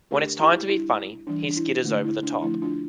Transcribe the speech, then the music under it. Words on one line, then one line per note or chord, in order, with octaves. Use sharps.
When it's time to be funny, he skitters over the top.
D3 A3 D4 G4 A#4
E4 G4
G3 D4 E4
E3 G3 D4
D4
E4
D3 A3 D4
E4
D4
D3 F3 A3 D4 E4
D4 F4